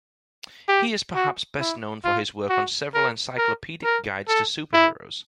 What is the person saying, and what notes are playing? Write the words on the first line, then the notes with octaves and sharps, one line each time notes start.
He is perhaps best known for his work on several encyclopedic guides to superheroes.
G4
F#4
E4
F4
F#4
A#4
A#4
A#4
A4
E4